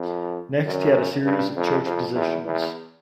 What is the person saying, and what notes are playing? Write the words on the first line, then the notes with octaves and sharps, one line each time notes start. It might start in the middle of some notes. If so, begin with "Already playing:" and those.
Next he had a series of church positions.
Already playing: F2
F#2
G2
F2
F2
E2
E2